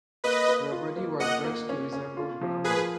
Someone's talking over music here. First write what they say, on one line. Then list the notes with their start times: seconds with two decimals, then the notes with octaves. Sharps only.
The body was dressed to resemble Brahma.
0.24 A#3 B4 D#5
0.48 A#3
0.72 F4
0.96 A#3
1.20 A#3 D#5 F#5
1.44 A#3
1.69 C#4
1.93 C#4
2.17 F4
2.41 F3
2.64 G#4 A#4 B4